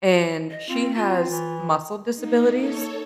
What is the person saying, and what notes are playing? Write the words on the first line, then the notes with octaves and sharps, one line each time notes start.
and she has muscle disabilities.
D#5
C4 F4
C4 F4
E3
A#3 D#4
A4 C#5